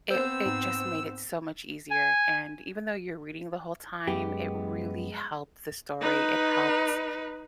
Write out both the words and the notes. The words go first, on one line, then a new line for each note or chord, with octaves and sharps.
it it just made it so much easier, and even though you're reading the whole time, it really helped the story. It helped
B3 C4 C5 E6
G#2
G#5
F#2 G#3 B3 G4
D#4 B4